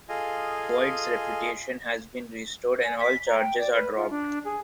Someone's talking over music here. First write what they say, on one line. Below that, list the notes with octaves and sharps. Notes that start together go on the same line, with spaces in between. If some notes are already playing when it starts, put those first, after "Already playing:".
Boyds reputation has been restored and all charges are dropped.
F4 G#4 A4 D#5 F5 G#5
G#5
B6
A#5
G5
D5
B4
F4
D4
G#4